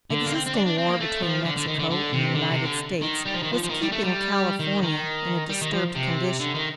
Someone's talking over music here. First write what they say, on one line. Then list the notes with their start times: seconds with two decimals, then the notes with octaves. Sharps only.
Existing war between Mexico and the United States was keeping California in a disturbed condition.
0.10 D3
0.25 A#3
0.33 C4
0.46 C4
0.55 D4
0.66 D4
0.78 C4
0.89 A#3
1.00 A3
1.23 F3
1.45 D3
1.57 D3
1.67 D#3
1.79 D3
1.90 D3
2.12 C3
2.35 D3
2.50 C3
2.65 D3
3.02 D#3
3.26 G3
3.34 F3
3.43 D#3
3.53 F3
3.63 F3
3.70 D#3
3.82 G3
3.92 A3
4.04 G3
4.59 D#3
4.83 D#3
5.50 G3
5.61 D#3
5.73 F3
5.95 C3
6.40 D3
6.54 D#3